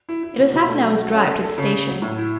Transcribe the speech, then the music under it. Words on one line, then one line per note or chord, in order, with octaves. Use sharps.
It was half-an-hour's drive to the station.
E4
E4
B2
B2
A3
F#3
F#4
C#4
A4
A4
C#3
C#3
F#3
A2
E4